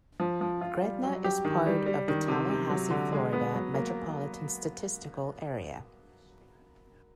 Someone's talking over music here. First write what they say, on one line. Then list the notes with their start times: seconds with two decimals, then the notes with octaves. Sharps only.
Gretna is part of the Tallahassee, Florida Metropolitan Statistical Area.
0.20 F3
0.41 F3
0.61 F4
0.82 G3
1.03 F#3
1.24 G4
1.45 D#3
1.66 G3
1.86 G3
2.08 D#3
2.28 C3
2.50 C3
2.70 F#3
2.90 D3
3.12 G#3
3.33 B3
3.54 F#3
3.74 A#3